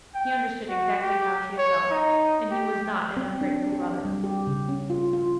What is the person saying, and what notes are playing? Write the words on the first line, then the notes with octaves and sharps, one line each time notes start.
He understood exactly how she had felt, and he was not an ungrateful brother.
G5
F#4
G4
C#5
D#4
G4
C4
D4
G4
G3
G4
C#3
C#4
F4
F4